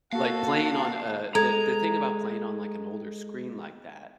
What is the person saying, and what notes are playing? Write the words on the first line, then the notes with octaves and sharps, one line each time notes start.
like, playing, on, uh, the the thing about playing on like an older screen like that
A#3 F#4 A4 F5 A5
G#3 A4 A#5 G#6